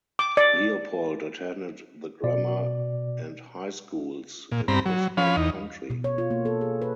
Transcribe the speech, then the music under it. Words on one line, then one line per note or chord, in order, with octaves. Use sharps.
Leopold attended the grammar and high schools in his home country.
D6
D5
B2 D5
A#2
G2 C4 A#5 B5
F#3
F3 C#4 F5 B5
E2 D#4
B2
C#5
F4
A#3
A4
G#4
B4